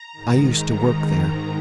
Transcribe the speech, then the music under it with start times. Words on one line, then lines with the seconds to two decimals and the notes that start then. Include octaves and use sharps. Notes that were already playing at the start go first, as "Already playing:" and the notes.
"I used to work there."
Already playing: A#5
0.12 G#2 D#3